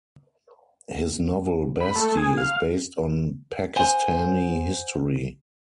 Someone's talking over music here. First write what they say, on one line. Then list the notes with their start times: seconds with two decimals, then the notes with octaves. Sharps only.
His novel "Basti" is based on Pakistani history.
1.80 B5
1.96 A3
2.17 G#4
2.37 F5
3.76 C5 F#5 G#5